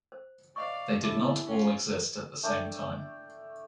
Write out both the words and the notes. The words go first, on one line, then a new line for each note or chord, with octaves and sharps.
They did not all exist at the same time.
C5
C5 D5 D#5 F5 C#6
E4 G4 A5 D6
C#4 F4
A3 D4 G5